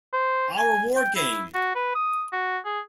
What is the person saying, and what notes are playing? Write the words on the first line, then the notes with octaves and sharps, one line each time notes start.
Our War Game!
C5
G#5
G5
E4
F#4
B4
D#6
F#4
G#4